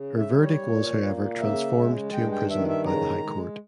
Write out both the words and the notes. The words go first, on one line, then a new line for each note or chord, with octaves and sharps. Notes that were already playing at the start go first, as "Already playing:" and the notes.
Her verdict was however transformed to imprisonment by the high court.
Already playing: C#3
E5
G3
C#5
A#2
A#3
C#3 E5
G#3
G2 G5
G5
D#3 E5
E5
C#3 A#5
G#3